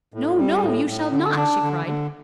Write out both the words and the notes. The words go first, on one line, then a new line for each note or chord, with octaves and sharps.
"No, no; you shall not!" she cried.
A2
G3
A2
A2
D3
D4
D3
D3